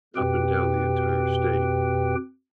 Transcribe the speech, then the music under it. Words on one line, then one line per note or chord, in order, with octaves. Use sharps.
up and down the entire state.
F2 B2 G4 B4 G5